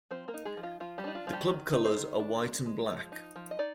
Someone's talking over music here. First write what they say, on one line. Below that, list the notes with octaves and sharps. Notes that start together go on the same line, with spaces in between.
The club colours are white and black.
F3 C4 C5
A#3 A#4
D#4
G#3 G#4
F3
F4
F3 F4
G3 G4
D4 D#4
F4
F3 F4
G3 G4
D#3
D#4
C4 C5
D#3
D4
G#3
G#3
F3
D#4
F3
D#5
D#4 D5